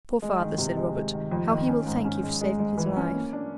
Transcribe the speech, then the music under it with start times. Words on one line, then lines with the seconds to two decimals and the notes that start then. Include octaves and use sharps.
"Poor father," said Robert; "how he will thank you for saving his life."
0.22 G#3
0.40 D#3
0.58 C3
0.76 G#3
0.95 G#3
1.13 D#3
1.31 F2
1.50 D#3
1.69 C#4
1.86 G#2
2.05 C#4
2.23 G#3
2.41 G#3
2.59 G#3
2.78 E3
2.96 C#4
3.14 A#3
3.33 D4